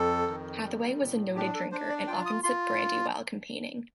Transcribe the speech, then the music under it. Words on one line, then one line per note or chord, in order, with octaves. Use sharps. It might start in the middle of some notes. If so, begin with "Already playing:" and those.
Hathaway was a noted drinker, and often sipped brandy while campaigning.
Already playing: F2 A4
D#3
G3
A2
D4 G4
A4
D4 C5
D5
F4 G5
D#6
F4 C6